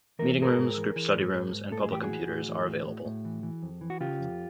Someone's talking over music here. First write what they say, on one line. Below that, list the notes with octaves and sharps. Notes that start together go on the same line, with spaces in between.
Meeting rooms, group study rooms, and public computers are available.
E3 A#4
G#2 G#4 A#4
G#2
E3
E3
G#2
G#2
G#2
A2 A4
G#4
E3 G4
F#4 G#4
E3
A2
E3
A2
A2
A2
E3
E3
F2
E3
F#4
C#3 F4 G4
F2